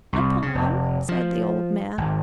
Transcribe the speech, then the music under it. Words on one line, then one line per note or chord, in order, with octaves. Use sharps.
"A poem," said the old man.
C2
C#3
F1
F3
G#1